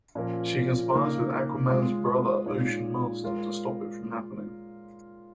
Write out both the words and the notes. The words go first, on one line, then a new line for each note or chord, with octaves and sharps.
She conspires with Aquaman's brother Ocean Master to stop it from happening.
A#2 F3 C#4 A#4
C#3 A#3 D#4 A#4
G#3 F4 C#5
A#2 G#3 D#4 C#5
G#3 F4 A#4 C#5